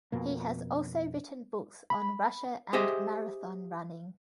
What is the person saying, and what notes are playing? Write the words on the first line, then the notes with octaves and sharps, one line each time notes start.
He has also written books on Russia and marathon running.
F2 B2 A#3
B5
G4 G#4 C5 D#5 E5